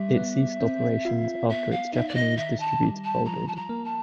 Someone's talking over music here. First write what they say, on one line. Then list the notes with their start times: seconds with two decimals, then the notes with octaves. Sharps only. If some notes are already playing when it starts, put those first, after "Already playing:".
It ceased operations after its Japanese distributor folded.
Already playing: G3 E5
0.17 B3
0.60 C4
1.05 F4
1.49 B3 E5
1.71 F5
1.93 D#4 E5
2.08 D5
2.15 D#5
2.37 D#3 E5
2.60 A5
2.82 G3
3.04 A5
3.25 F3 A#5
3.48 A5
3.56 A#5
3.69 A#3
3.85 A5